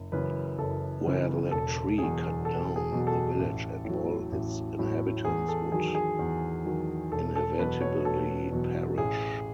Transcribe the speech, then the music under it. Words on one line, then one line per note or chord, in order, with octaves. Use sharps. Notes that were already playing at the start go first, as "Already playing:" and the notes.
Were the tree cut down, the village and all its inhabitants would inevitably perish.
Already playing: F#1
F#2 C#3 E3 B4
F#1 A4
F#2 C#3 E3
E1 A4
E2 B2 F#3 G#4
E1 A4
G#4
E2 B2 F#3
A4
A1
A2 F#3
A1
A2 F#3
E2 G#4
A4
D#3 F#3 G#4
G#4
E2
D#3 F#3
E1 A4
A4
E2 B2 F#3 B4
C#5
E1 A4
E2 B2 F#3
A1 G#4